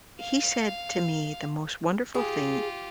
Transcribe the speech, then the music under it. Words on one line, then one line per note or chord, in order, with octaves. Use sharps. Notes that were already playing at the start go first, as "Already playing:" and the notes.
he said to me the most wonderful thing.
F5
F4 G4 G#4